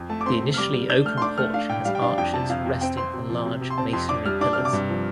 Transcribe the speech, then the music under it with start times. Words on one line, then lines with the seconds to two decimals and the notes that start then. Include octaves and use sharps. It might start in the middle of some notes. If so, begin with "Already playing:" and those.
The initially open porch has arches resting on large masonry pillars.
Already playing: F2
0.09 A3 A5
0.21 D6
0.26 C4 C6
0.41 C3
0.54 F6
0.58 G3 D6
0.74 G3
0.90 D4 G6
1.05 A3 F6
1.17 C6
1.22 D4 D6
1.38 A3 F6
1.53 D4 F5
1.69 A2 G5
1.85 G3 F5
1.95 G5
2.02 D4 F5
2.17 F2 G5
2.33 C3 A5
2.49 F2 F5
2.66 F2
2.81 C4 G5
2.97 C4 C6
3.14 C3
3.29 F3
3.46 C3
3.61 C3
3.70 C6
3.78 C4 A5
3.93 F2 C6
4.09 D4 D6
4.25 G3 F6
4.41 D4 D6
4.53 C3 F6
4.65 D6
4.73 G2
4.89 F3